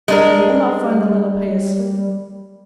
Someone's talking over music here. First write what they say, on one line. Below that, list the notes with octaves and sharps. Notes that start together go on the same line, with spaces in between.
"They will not find the Lenape asleep."
G3 G#3 D4 A#4